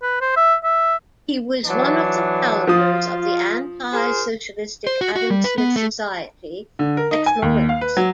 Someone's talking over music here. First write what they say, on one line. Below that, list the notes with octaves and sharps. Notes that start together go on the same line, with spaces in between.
He was one of the founders of the anti-socialistic Adam Smith Society at Florence.
B4
C5
E5
E5
E3 F#3 D4
F3 F4 D#6
G#4 A#4 C5
C5
F#4
F#4
G3
B4
B3
A3
D3
A#4
D#4
G#5
D#2
F5
B4
F#3